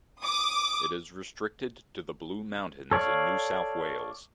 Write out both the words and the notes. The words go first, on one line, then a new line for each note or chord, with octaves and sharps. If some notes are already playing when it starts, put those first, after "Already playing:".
It is restricted to the Blue Mountains in New South Wales.
D6 D#6
A4 C#5 D5 F5